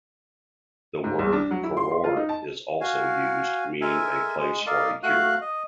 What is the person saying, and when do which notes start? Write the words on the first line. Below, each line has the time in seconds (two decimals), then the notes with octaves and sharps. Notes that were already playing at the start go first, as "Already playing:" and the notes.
The word "Kurort" is also used, meaning a place for a cure.
1.04 G#2
1.19 C2
1.32 D4
1.51 F#3
1.63 E4
1.77 C6
1.91 C6
2.04 F4
2.17 D#4
2.29 A5
2.81 F#4 F5 G#5
3.81 G#3 A4 A#4 E5 G#5
4.38 G#3
4.66 A4 A#4 D5 D#5 F5
5.03 A3 F#4 F5 F#6
5.41 D#5